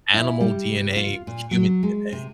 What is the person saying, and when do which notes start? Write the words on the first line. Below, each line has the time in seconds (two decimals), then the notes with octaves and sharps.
animal DNA with human DNA, and
0.14 E4
0.40 G3
0.97 F4
1.27 A#2
1.51 F#3
1.83 G#3
2.13 C3